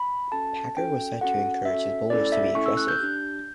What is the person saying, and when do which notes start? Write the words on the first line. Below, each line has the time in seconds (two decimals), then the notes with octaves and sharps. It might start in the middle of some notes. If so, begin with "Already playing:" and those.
Packer was said to encourage his bowlers to be aggressive.
Already playing: B5
0.32 C#4 F#4 A4 A5
0.77 C#4 F#4 A4 G5
1.21 C#4 F#4 A4 F#5
1.65 C#4 F#4 A4 E5
2.10 A3 C#4 E4 A4 D5
2.32 E5
2.55 A3 C#4 E4 A4 C#6
2.66 E6
2.77 F#6
2.88 G6
3.00 D4 G4